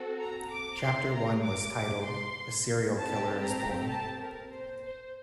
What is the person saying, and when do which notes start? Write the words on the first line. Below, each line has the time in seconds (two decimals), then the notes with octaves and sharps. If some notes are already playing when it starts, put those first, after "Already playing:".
Chapter One was titled A Serial Killer Is Born.
Already playing: C4 F#4 A4
0.20 A#5
0.51 D6
0.82 C6
1.12 A#5
1.43 D6
1.75 D6
2.05 C6
2.98 A3 C4 G4 A5
3.44 A#5
3.90 A5
4.22 A#4
4.52 C5
4.83 C5